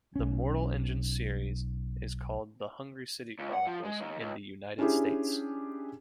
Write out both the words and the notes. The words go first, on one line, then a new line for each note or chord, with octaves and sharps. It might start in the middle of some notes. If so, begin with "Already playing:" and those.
The Mortal Engines series is called the "Hungry City Chronicles" in the United States.
B1 C#4
C#2
F#5
F3
G#3
D#2
C#2
C#4 D4 E4 G4 G#4